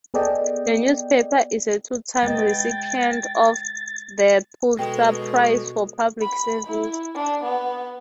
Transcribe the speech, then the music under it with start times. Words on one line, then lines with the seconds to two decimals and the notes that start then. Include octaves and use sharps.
The newspaper is a two-time recipient of the Pulitzer Prize for Public Service.
0.14 B3 G#4 A4 D5 D#5 G5
2.23 G#3 B3 D#5 G5 A6
4.79 B2 G#3 G#4 A4 G5
6.21 B5
6.67 E4
7.15 D4
7.44 B3